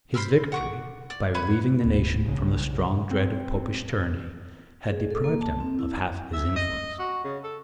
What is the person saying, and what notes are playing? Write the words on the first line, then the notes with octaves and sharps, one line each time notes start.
His victory, by relieving the nation from the strong dread of Popish tyranny, had deprived him of half his influence.
C5 B5 E6 F6
F#5 C#6 D6
D5
B4 C#5 F#5 B5
D1 D2
B1 C#3
C4
G#4
A4
A#3
A5
C4
E4
E5
D#5
F#4
C#3
A4